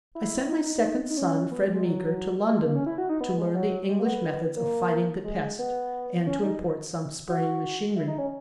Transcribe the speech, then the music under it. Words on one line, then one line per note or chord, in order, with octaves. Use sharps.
I sent my second son, Fred Meeker, to London to learn the English methods of fighting the pest and to import some spraying machinery.
E4
D#4
D#4
C#4
B3
G#3
G#3
F#3
G#3
A#3
C#4
E4
F#4
D#4
B3
G#3
F#3
G#3
A#3
B3
A#3
G#3
B3
C#4
D#4
F#4
E4
D#4
C#4